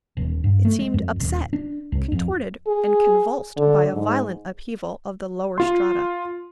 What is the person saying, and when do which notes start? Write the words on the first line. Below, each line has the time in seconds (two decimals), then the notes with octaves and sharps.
It seemed upset, contorted, and convulsed by a violent upheaval of the lower strata.
0.17 D#1
0.44 G2
0.65 A3
0.79 G#3
0.94 F2
1.20 D#1
1.53 D4
1.92 C2
2.12 F2
2.67 G#4
3.57 D3
3.93 G#2
5.58 F4 C6